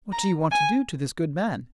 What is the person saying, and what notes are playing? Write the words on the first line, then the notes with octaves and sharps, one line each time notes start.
What do you want to do to this good man?
A#5
G#5